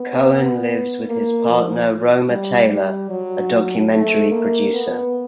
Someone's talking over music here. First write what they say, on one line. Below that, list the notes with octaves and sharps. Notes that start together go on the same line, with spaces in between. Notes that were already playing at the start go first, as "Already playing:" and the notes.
Cohen lives with his partner Roma Taylor, a documentary producer.
Already playing: B3
A#3
F3
G3
G3
F#3
A3
A#3
B3